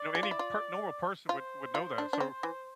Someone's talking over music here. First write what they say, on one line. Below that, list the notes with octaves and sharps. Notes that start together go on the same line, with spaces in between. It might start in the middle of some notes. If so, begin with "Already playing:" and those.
you know any per normal person would would know that, so,
Already playing: D5
G#4
F4
E4
F4
F4 C5
F4
D4
D4
C4
E3